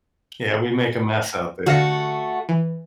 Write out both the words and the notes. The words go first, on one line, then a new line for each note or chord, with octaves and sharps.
Yeah, we make a mess out there.
D3 A3 F#4 F5 A#6
E3